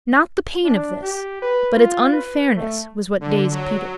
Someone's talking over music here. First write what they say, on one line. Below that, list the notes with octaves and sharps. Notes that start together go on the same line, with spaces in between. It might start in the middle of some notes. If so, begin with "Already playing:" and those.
Not the pain of this but its unfairness was what dazed Peter.
D4
G4
B4
F4
B4
A3
D3
F#3